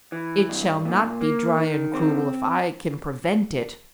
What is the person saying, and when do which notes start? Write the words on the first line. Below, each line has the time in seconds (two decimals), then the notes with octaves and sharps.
"It shall not be dry and cruel, if I can prevent it."
0.12 E3
0.49 G2
0.85 A#2
1.21 A#3
1.57 D#3
1.94 C4